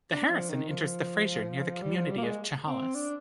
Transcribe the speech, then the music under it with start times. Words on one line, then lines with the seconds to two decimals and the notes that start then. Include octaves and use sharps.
The Harrison enters the Fraser near the community of Chehalis.
0.12 D4
0.30 F3
0.50 D#3
0.68 F3
1.82 G3
1.96 F3
2.10 G3
2.18 A#3
2.24 G#3
2.66 C4
2.95 D4